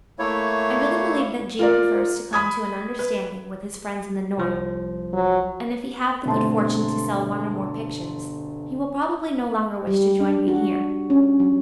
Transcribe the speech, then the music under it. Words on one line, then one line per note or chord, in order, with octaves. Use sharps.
I really believe that G. prefers to come to an understanding with his friends in the North, and if he have the good fortune to sell one or more pictures, he will probably no longer wish to join me here.
A3 A#3 E4 C#5
F4 A#4 D5
B5 D#6 G#6
B4
C2 F3
F#3
G1 B2 A3 C4 A5 C6
G3
D4
F#4
C#4
F#3